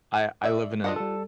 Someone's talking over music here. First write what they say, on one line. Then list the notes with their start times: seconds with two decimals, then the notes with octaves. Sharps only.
I I live in a
0.44 D5 E5
0.84 D4 F4 C5 D#5 F#5
0.96 G3 A4